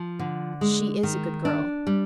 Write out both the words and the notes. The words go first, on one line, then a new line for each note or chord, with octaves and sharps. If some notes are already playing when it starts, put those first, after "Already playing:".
"She is a good girl."
Already playing: F3
D3
G#3
D#3
D4
G3